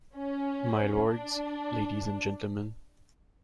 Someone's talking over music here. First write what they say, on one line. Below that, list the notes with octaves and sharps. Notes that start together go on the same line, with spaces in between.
My lords, ladies and gentlemen.
C#4
D4